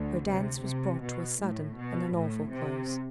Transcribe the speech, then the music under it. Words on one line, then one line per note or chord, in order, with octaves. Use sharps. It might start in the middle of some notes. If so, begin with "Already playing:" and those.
Her dance was brought to a sudden and an awful close.
Already playing: D2 D3
C3
C3
B2
A2
B2
A2
C3